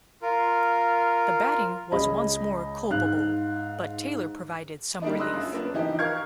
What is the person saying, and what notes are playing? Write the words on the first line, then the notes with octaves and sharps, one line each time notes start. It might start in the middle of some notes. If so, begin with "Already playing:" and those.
The batting was once more culpable, but Taylor provided some relief.
F4 A#4
C#2 G#4 D#5 B5
G#2 F5 F#6
G3 G#3 A#3 D4 D#4
C6 D#6 E6 F#6 A#6
F#2 F4
A#3 B3 C#4 D4
E3 F3 D#4 G4
A#4 F5 C#6 F6 G#6